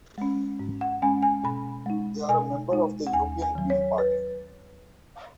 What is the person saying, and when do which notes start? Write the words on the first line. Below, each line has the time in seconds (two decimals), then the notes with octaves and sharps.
They are a member of the European Green party.
0.18 G#3 C#4
0.59 G#2
0.81 F#5
1.02 G#3 C#4 G#5
1.23 G#5
1.44 B2 B5
1.86 G#3 D#4
2.28 B2 G#5
2.72 G#3 D#4
3.07 F#5
3.13 D#2 G#5
3.42 G#5
3.55 D#3 F#3
3.70 C#5
3.98 B4